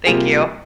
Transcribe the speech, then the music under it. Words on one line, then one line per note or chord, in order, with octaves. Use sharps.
Thank you.
C3 G3 A#3 F4 G#4